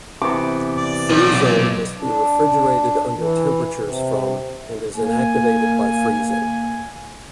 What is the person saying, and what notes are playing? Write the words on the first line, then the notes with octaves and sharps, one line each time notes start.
Fluzone must be refrigerated under temperatures from and is inactivated by freezing.
C3 E3 B3 D6
D5
B1
D4
E3
C3
A#3 G#5